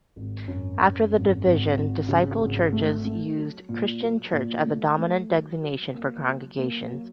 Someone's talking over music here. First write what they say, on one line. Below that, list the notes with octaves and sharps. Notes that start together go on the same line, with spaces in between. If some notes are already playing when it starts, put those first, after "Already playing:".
After the division Disciples churches used "Christian Church" as the dominant designation for congregations.
G#1
F#2
F#2
G#1
G#1
G#1
C#3
G#1
A3
A3
F#3
A#2
F#3
A#2
A3
A3
F#3
F#3
A#3
F#3
A#3
F#3